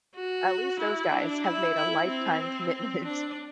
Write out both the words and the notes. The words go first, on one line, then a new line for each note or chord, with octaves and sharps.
at least those guys have made a lifetime commitment
F#4
E4
D4
E4
E4
C4
D4